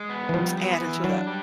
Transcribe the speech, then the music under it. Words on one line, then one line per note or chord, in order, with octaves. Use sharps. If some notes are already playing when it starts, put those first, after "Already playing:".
adding to the
Already playing: G#3
B3
E3
F3 G3
B3
E3
F#3 D4
G3